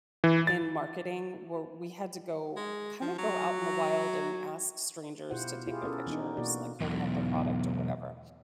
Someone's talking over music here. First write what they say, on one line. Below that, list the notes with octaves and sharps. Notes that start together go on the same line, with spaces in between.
in marketing, where we had to go kinda go out in the wild and ask strangers to take their pictures, like, holding up the product or whatever.
E3
A6
G#3
F3
F#3
B2 E4 F4 G4 C5 F#5
E4 F4 G4 G#4
B3 C#4 A4 A#4
E3 B3 D4 D#4
B2 A#3 F#4 D5
B1 E2